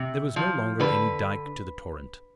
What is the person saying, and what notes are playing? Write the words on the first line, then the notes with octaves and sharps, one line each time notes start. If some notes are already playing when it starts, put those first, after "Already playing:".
There was no longer any dike to the torrent.
Already playing: C3
F3
D3 B4